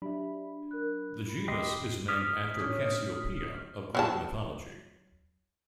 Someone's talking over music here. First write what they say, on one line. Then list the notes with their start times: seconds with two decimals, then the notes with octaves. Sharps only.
The genus is named after Cassiopeia of Greek mythology.
0.02 F#3 D4 G4 E5 B5
0.71 A#4 F#6
1.29 B5
1.48 D2 A#2 G4 D#5 C6
2.08 D5 D#6 F6 B6
2.59 A2 C#4 D4
3.95 F#3 F#4 A5